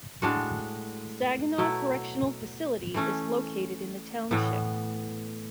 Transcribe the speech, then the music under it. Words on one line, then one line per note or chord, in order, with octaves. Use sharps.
Saginaw Correctional Facility is located in the township.
A2 G#3 D4 F#4
B2 F#3 A3 E4
E3 A3 C#4
A2 E3 B3